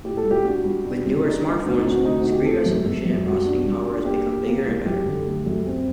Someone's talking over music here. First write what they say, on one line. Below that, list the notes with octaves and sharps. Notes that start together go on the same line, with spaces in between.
With newer smartphones, screen resolution and processing power has become bigger and better.
A2 G4
A4
G3
G4
D4 F#4
G3
D4
G3
D4 D#4
D4
D2 F#4
D#4
C3
F#4
D2 D#4
F#4
C3
G4
A3 A4
F#2
F#2
F#2
G3 F#4
D4
G3
D4
A#3 G4
A#3
A#3
C2
F#2 G4
D3
A3
F#2
C4